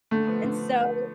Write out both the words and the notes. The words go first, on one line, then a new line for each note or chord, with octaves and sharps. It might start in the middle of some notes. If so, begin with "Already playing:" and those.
and so
D3 A3
F3 B3
D3